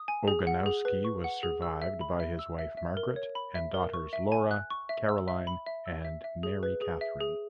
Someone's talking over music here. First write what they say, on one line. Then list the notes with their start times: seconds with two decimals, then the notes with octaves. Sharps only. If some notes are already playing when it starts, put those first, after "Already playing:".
Ogonowski was survived by his wife Margaret and daughters Laura, Caroline, and Mary Catherine.
Already playing: D#6
0.08 G#5
0.28 G#4
0.47 F#5
0.66 G#4
0.85 B4
1.04 C#6
1.24 F#5
1.43 G#4
1.62 E6
1.82 E5
2.01 B5
2.20 E5
2.39 E6
2.59 E5
2.77 E5
2.97 A#4
3.16 C#5
3.35 B5
3.55 E5
3.74 A#4
3.94 C#6
4.13 E5
4.32 G#5
4.51 F#6
4.70 C#6
4.89 E5
5.09 E6
5.28 E5
5.47 B5
5.66 E5
5.86 E6
6.05 E5
6.24 E5
6.43 G#4
6.63 B4
6.82 G#4
7.01 E5
7.20 G#4